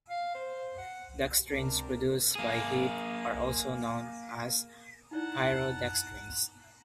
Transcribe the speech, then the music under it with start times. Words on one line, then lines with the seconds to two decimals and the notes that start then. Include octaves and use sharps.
Dextrins produced by heat are also known as pyrodextrins.
0.09 F5
0.35 C5
0.78 F#5
1.48 C#2 C3 C4 D4 A#4
2.35 A#3 G#4
5.11 D#4 E4 D5 F#5 A5 A#5